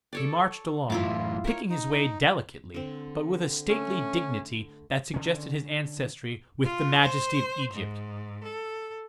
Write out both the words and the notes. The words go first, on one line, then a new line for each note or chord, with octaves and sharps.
He marched along, picking his way delicately, but with a stately dignity that suggested his ancestry with the majesty of Egypt.
A4 C#5 D5
F#2 A2 E3 E4 F4 D6
A#4 C#5
D#4
D3 C4
A3 C#4
D3 C#4
F4
C5
G#2
A4